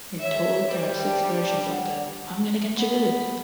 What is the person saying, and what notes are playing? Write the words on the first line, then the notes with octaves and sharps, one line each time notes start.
In total there are six versions of the I'm Gonna Getcha Good!
C#5 E5
G3 C5
D4
F#5
B3